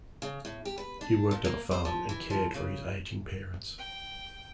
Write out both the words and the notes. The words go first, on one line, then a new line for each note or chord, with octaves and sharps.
He worked on a farm and cared for his aging parents.
C#3
A2
G4
B4
D4
A#2
A#3
C5
F3
E3
F3
C#3
G5